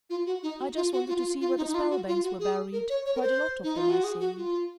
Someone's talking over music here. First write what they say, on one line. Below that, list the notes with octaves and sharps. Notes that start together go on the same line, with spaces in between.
"I just wanted to see where the Spelbanks were buried--quite a lot of them, I see."
F4
F#4
D#4
F#4
F4
F#4
F4
F4
F4
D#4
D#4
F4
F#4
F4
F#4
G#4
A#4
C#5
C#5
A#4
C5
D#4
F4
F#4
G#4
F#4
F4